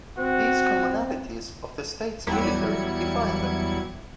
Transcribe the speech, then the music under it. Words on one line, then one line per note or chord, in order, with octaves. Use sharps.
These commonalities of the state's military define them.
C4 F#4
E2 F#3 G3 E4 G#6 C#7